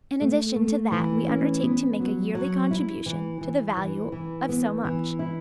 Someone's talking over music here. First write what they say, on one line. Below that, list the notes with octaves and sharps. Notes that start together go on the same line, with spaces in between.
In addition to that we undertake to make a yearly contribution to the value of so much.
A3
A3
E3
C#4
B3
F#3
F#3
E4
E3
E3
E3
E3
B3
E3
E4